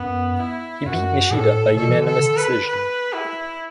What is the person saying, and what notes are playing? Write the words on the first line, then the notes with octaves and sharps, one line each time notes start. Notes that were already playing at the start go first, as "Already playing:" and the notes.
He beat Nishida by unanimous decision.
Already playing: F#2 B3
E4
F#2 F#4
A2 A4
B2 A4
E3
D3
A4
B2
D3
B4
B4
E4